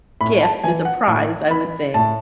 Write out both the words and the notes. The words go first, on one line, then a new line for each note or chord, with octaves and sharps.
gift, is a prize, I would think,
A2 B5
A5
E3 G#5
F#5
A2
E3 B5
A2 A5